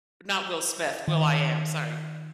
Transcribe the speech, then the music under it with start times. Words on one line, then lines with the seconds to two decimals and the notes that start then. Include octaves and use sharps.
not Will Smith, will.I.am, sorry.
1.08 D#3